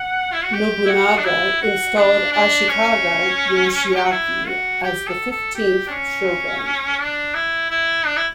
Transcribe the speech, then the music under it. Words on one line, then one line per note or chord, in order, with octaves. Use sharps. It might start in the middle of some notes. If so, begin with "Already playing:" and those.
Nobunaga installed Ashikaga Yoshiaki as the fifteenth shogun.
Already playing: F#5
E4
F#4
G4
E4
F#4
D4
E4
F#4
D4
D4
C#4
G4
F#4
E4
F#4
G4
A4
A4
G4
D4
C#4
D4
E4
E4
D4
E4